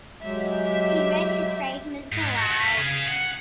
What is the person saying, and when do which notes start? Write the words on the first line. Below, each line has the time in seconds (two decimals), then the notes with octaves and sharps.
He read his fragments aloud.
0.22 F#3 G#3 G4 E5
2.12 G#2
2.37 F#4 G4
2.60 B4 F5
2.77 C#3 G#4
3.08 F#5